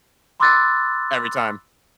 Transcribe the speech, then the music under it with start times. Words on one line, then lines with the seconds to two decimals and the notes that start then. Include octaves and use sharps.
every time.
0.40 B5 C6 D6 E6 F#6 A6